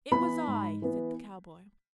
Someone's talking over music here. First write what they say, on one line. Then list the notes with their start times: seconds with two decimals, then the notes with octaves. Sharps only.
"It was I," said the cowboy.
0.11 E3 B3 B5
0.47 G#2
0.82 E3 B3